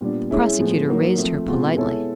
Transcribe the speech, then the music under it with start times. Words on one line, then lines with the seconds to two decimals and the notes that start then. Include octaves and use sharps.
The prosecutor raised her politely.
0.01 A#2 G3 B3 D4
0.30 G#3 C#4 E4 G#4
0.60 A2 F3 G#3 B3
0.89 F#3 A#3 D#4
1.18 F3 A3 C4
1.48 B2 G#3 C4 F4
1.77 G#3 B3 E4 A4 C#5